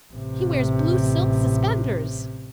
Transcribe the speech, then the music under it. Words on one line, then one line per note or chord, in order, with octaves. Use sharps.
"He wears blue silk suspenders."
A1 C3